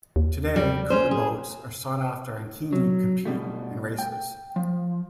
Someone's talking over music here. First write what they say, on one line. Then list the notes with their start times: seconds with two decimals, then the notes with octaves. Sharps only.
Today, couta boats are sought-after and keenly compete in races.
0.16 D#2
0.56 G3
0.90 C#4 C5
1.11 G#4
2.73 F#3
3.25 B2 G3 A3
3.99 G5
4.56 F3